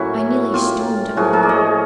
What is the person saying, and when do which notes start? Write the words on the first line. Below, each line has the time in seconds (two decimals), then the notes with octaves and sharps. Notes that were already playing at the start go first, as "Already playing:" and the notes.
I nearly stormed at Mamma.
Already playing: A2 F#3 A#3 C#4 E4 F#4
0.54 F4 G4
1.17 A2 F3 A#3 F#4 G#4
1.33 G#4 A#4
1.43 D5
1.49 C#5 D#5